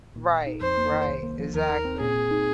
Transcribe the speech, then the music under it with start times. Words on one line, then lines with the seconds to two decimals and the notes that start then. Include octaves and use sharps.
Right, right, exactly.
0.16 A#2
0.31 A#2
0.46 D#4
0.61 F2 C5
0.77 A#3
0.92 D#3
1.08 C2
1.23 A#3
1.39 F3
1.54 D#2 A#4
1.69 D#4
1.85 C4
2.00 A#2 G#4
2.16 A#2
2.31 D#4